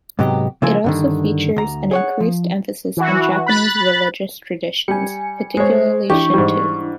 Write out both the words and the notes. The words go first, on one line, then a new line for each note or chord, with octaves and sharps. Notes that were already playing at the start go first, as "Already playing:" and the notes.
It also features an increased emphasis on Japanese religious traditions, particularly Shinto.
G#2 C3 F#3 B3 G4 D#5
C#3 F3 A#3 E4 G#5
G2 D3 D#3
D2 A#5
G#4 C#5 F#5
F3
E3 F#4
B5 F#6 A6
G3 G#5 C#7
G#3 C5 C#5
E3 D4 E4 G4 C#6
G#2 G3